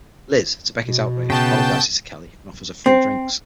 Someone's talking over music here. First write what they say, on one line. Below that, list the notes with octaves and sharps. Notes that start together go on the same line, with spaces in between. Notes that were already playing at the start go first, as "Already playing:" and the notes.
Liz, to Becky's outrage, apologises to Kelly and offers her free drinks.
B2
C#3 B3 G5 A5 G6
C4